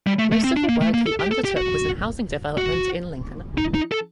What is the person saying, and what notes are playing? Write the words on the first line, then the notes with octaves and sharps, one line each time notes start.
Most of the work he undertook was in housing development in Lincoln.
G3
A3
A3
C4
D4
A#3
A3
A#3
A4
G4
A4
G4
F#4
F#4
D#4
D#4
A4